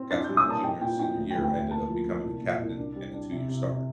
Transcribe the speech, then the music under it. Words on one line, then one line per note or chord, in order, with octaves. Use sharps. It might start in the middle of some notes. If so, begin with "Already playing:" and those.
got to my junior and senior year, I ended up becoming a captain and a two-year starter.
Already playing: C4
D4 A6
G6
G3
D#6
A#3 A5
D#4 G5
A#2 G5
D#4 G5
D2
G5
D2
G5
D2
A#3 A5
F3
A#3
C2
A#2
C2
D4
G3
D4
C3
C3
C3